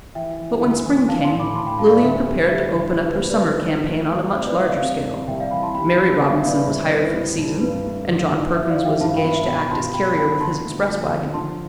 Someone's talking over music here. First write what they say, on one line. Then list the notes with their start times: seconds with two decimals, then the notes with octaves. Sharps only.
But when spring came Lilian prepared to open up her summer campaign on a much larger scale. Mary Robinson was hired for the season, and John Perkins was engaged to act as carrier with his express wagon.
0.15 E3 E5 G5
0.39 E3
0.62 D2
0.85 E3
1.09 D4 F5 A5
1.24 A5 C6
1.32 A2
1.39 B5 D6
1.55 A2 A5 C6
1.67 G5 B5
1.79 G3 F5 A5
1.90 D5 F5
2.02 D2 C5 E5
2.25 G3
2.48 G3 C5 E5
2.72 D2
2.80 C5
2.95 F4 C5
3.06 B4
3.18 B3 C5
3.30 B4 D5
3.42 B3 C5
3.65 F3
3.88 A3
4.11 A3
4.35 C3 C5
4.46 B4 D5
4.58 C3 C5 E5
4.70 D5 F5
4.81 C3
5.05 C2
5.28 C2 E5 G5
5.40 D5 F5
5.51 E3 G5 B5
5.63 A5 C6
5.75 G3 G5 B5
5.98 G3
6.21 B3 F5 A5
6.33 E5 G5
6.44 B3 D5 F5
6.56 B4 D5
6.67 C2 C5 E5
6.83 B4 D5
6.91 E4
6.99 C5
7.14 E4
7.38 C2
7.61 G2 B4
7.84 A3
8.08 D3
8.31 D3
8.54 F3 C5 E5
8.69 D5 F5
8.77 F3
8.85 E5 G5
9.01 G2 F5 A5
9.16 G5 B5
9.24 B3
9.32 C5 E5
9.47 B2 G5 B5
9.71 F4 A5 C6
9.94 B2 G5 B5
10.17 B2 G5 B5
10.41 D3 A5 C6
10.64 A3
10.87 F3
11.10 D3
11.34 F3 A5 C6